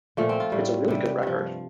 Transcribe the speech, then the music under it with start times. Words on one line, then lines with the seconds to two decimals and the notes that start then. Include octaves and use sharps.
It's a really good record.
0.17 A#2 F3 A3
0.29 C4
0.40 F4
0.52 A2 G3
0.88 C3 G3
1.23 G2 F3